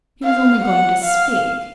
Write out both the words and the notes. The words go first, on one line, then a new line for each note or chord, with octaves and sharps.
He was only going to speak.
F5
F#5
F5